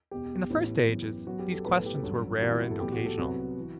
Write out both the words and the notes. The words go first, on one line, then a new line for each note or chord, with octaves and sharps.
In the first ages these questions were rare and occasional.
E1 E2 B2 G4
A1 A2 E3 B3
F#2 E3 B3
F#2 F#3 B3 F#4
G4
A4
B1 A2 F#3 A3 B4
A4
G4
A4
A1 G2 F#3 A3
E2 C3 E3 G3 B3 F#4
E4
F#4
A4
B1 A2 E3 G4
F#4
A4
C2 C3 F#3 B3 F#4
E3